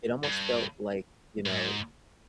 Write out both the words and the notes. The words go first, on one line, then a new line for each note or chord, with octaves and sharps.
it almost felt like, you know,
G2
G2
G#2